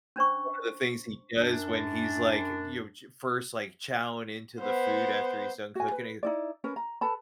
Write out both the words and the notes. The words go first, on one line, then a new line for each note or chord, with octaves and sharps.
one of the things he does when he's, like, you ch first, like, chowing into the food after he's done cooking, he,
C#4 D4 C5 C#6
F#2 D4
B3 C5
F#4 G#5
B4
D#4 E4 D5
C#4 A#4 B4
A#5
A4 B4 A5 B5